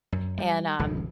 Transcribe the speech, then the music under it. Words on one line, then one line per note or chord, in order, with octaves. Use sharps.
and, um,
F#2
G3
D#1 C#2 F#2 F3